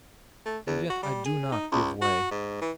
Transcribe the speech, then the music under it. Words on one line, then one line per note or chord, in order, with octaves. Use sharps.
And yet I do not give way.'
A3
E2
F#4
G3
G#4
D#4
C#2
F#4
G#2
E3